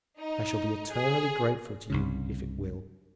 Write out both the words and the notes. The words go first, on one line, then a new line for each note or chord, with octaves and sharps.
I shall be eternally grateful to you if it will.
D#4
G#4
C2 G2 C#3